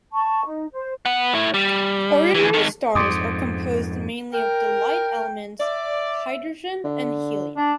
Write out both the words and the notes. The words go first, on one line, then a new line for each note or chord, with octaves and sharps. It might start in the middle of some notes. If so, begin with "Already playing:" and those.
Ordinary stars are composed mainly of the light elements hydrogen and helium.
A5 C#6
D#4
C5
B3 F#5
A2 E4
G3
D2 E3
D#3 G#3
F2 G#2 C6 D6 D#6
A#4 G5
D5 E5
D3
D4